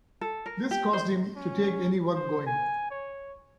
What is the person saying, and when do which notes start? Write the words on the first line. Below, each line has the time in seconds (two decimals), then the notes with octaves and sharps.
This caused him to take any work going.
0.21 A4
0.46 A#4
0.71 G4
0.93 C5
1.36 C#4
2.15 C5
2.46 G#5
2.91 C#5